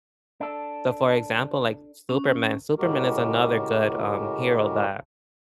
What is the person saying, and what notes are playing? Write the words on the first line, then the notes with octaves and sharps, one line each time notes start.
So, for example, like, Superman, Superman is another good, um, hero that
D4 A4
C#4
A2 C#3 G#3 F#4 G4 A#4